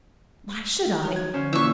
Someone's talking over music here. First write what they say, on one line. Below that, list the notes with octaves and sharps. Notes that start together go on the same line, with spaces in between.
"Why should I?"
D#4 F#4 C#5
G#6
D3 F3 C#4 C5
A#2 E3 E5 C#6